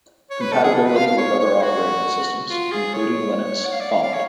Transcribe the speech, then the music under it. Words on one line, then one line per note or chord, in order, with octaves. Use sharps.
Compatibility with other operating systems, including Linux, followed.
C#5
B4
A4
G#4
A4
B4
F5
F5
C#5
C#5
F#4
F4
G#4
C#5
F#5
F5
D5
F5
F5
C#5